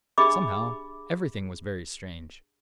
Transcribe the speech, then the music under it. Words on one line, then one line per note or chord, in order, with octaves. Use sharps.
Somehow--everything was very strange.
D4 G4 G#4 E5 B5 D6